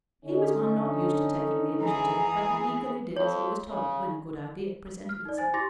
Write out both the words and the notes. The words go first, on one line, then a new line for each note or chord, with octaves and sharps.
He was one not used to taking the initiative, but he eagerly did as he was told when a good idea presented itself.
D3 C#4 D#4
E3 G#4 A#5
F2 C#5
C#3
F6
D#4 D5
C5 G#5 A6
E4 G4 C6 D6 A6 A#6